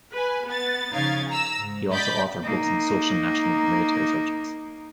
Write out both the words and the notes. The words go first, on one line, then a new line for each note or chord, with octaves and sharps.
He also authored books on social-national and military subjects.
B4 G#5
B3 A6
C#3 F3 D#4 F5 G#6 A6
A#5 E6
G#2
D5 D#5 B5 G6 A6 B6
A#3 D#4